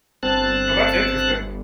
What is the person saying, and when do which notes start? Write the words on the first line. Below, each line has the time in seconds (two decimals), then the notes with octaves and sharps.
Oh, that's interesting.
0.23 G1 C4 A5 F#6